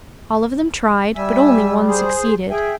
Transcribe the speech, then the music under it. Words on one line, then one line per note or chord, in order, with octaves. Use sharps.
All of them tried, but only one succeeded.
G3 E5 G#5 E6
G#4 C5
G#4 E5 G5 G#5